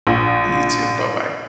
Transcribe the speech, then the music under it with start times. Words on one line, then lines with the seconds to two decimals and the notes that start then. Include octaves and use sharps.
You too, buh-bye.
0.07 A#1